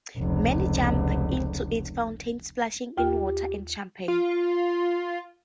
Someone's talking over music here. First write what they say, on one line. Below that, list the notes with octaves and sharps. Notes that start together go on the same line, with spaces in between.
Many jumped into its fountain, splashing in water and champagne.
F1 C#2
D#2 F4 G4 G5
F4